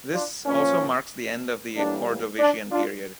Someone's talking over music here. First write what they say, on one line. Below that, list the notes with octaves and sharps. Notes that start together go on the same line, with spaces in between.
This also marks the end of the Ordovician period.
D4 F4
A#2 F3 A#3 C#4
A2 E3 G3 A#3 D4
D4
D4 F4